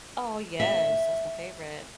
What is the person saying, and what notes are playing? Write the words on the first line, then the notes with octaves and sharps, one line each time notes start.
Oh, yes. That's my favorite.
E5